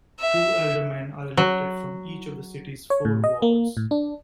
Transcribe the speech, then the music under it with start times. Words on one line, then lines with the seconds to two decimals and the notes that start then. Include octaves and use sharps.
Two aldermen are elected from each of the city's four wards.
0.20 E5
1.37 F#3
2.90 C#5
3.05 A2
3.24 D#5
3.42 A#3
3.77 A2
3.91 D4